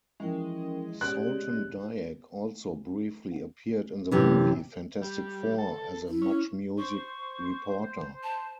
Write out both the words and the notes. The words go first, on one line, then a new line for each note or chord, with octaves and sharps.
Soltendieck also briefly appeared in the movie "Fantastic Four", as a MuchMusic reporter.
E3 F3 G#3 C#4 E4 A#4 G5
B2 C#4 G4 G#4 D5 F#6
F#2 C3 E3
G3
A4
E4
C#4
C5 C#6
A5